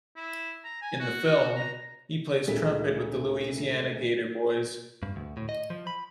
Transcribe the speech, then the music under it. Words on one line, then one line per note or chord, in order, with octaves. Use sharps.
In the film, he plays trumpet with The Louisiana Gator Boys.
E4
A#5
G#5
F#4
A#5
D2 A#2 G#3 A4 B6
G2
D2
A2
D#5
F3
B5